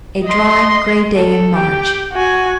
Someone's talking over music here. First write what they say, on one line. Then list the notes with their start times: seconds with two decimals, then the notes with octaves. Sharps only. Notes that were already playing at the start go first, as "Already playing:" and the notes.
A dry, grey day in March.
0.24 D#5 C6
1.15 A4
1.55 G4 G5
2.12 F#4 G#5